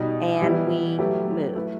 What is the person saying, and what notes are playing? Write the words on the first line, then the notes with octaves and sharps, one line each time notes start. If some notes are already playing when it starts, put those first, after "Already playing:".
and we moved.
Already playing: B2 G3 D#4
E3 G3 B3 E4
F#3 A3 E4 G4 B4
A3 E4 B4